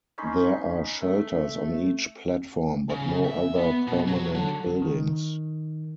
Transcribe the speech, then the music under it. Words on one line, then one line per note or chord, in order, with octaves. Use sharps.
There are shelters on each platform, but no other permanent buildings.
C#4 D#4 B5 C6
A3
C#3
E5
B3
B2
F#3
D3
D#3